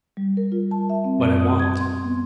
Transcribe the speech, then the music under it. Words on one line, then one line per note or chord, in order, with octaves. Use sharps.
But it want.
G3
A#4
F4
A5
E5
C4
F#2
D#6
G#6
C6
B3